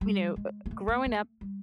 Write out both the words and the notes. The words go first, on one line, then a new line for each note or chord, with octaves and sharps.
you know, uh, growing up
G3
G#3
A#3
A3
A#3
A3
G3